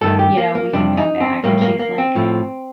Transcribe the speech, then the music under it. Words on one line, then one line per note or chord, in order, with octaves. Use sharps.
you know, we can come back." And she's like,
G2 D#3 A3 A4
G4
A#3
A#3
F2 C3 G3 D4
D#4
C4
A2 G3 A#3
A#3
A#3
C4
A2 F3 A3